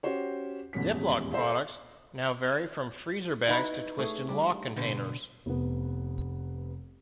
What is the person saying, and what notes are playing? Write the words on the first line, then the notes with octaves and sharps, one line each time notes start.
Ziploc products now vary from freezer bags to twist n' loc containers.
C#4 F#4 G4 C5 C#5
D#1 E2 G#2 C#4 B6
A4 C5 E5
D#4 E4 F#4 B4 E5
A3 C#4 G#4
G3 D4
B2 D3 G5
F1 B3